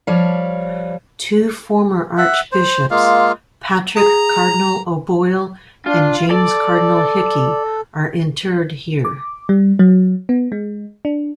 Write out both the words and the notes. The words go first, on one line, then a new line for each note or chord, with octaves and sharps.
Two former archbishops, Patrick Cardinal O'Boyle and James Cardinal Hickey, are interred here.
F3 G3 C#5 F5
E5 F#5
C5
G#3 A#3 F4 F5
G#4 A#5
D4 F4
A4 D5
D6
G3
F#3
B3
G#3
D4